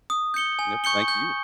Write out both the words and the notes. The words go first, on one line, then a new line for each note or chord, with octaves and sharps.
Yep, thank you.
D#6
G6 C#7 G7
G#5
C#6 G6 C#7 G7
G6